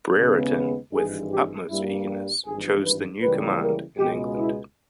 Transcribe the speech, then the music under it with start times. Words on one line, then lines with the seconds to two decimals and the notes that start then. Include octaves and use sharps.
Brereton "with utmost eagerness" chose the new command in England.
0.16 D#2 C#3 G#3 B3
0.93 G#1 G2 E3 G#3 G#4
1.31 G4
1.69 G2 G3 A#3 E4
2.45 G#1 G2 E3 G#4
2.84 B4
3.22 C#2 C#3 E3 G3 A#3 B4
3.61 A#4
3.98 C#2 B2 G#3 B3 G4
4.38 E4